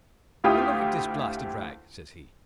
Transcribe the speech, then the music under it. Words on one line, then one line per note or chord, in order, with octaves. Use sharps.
And look at this blasted rag, says he.
D2 E4 F4 G4 G5 D#6